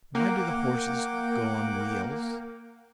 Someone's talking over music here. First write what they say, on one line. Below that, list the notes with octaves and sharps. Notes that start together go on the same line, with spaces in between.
"Why do the horses go on wheels?"
A#3 F#5 G5 D6